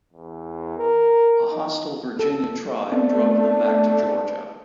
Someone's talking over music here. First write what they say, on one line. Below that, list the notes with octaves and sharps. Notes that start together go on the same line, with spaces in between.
A hostile Virginia tribe drove them back to Georgia.
E2
A#4
D#4
A4
A3 B3 C4 D4